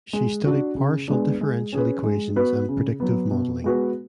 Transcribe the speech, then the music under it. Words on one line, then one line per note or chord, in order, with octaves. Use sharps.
She studied partial differential equations and predictive modelling.
G#3
D4 F#4
C#3
G#3 B3 D4
G#3
C#4 G#4 B4
G#3
B3 F#4 B4
C#3
F#3 B3
B2
G#3 B3 F#4 B4